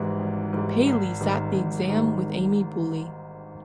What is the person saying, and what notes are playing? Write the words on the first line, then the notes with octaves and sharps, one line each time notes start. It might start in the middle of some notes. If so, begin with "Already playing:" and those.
Paley sat the exam with Amy Bulley.
Already playing: G#1 G#2 E3 G3
G#1
G#2 E3 G3
G#1
G#2 D#3 G3
G#1
G#2 D#3 G3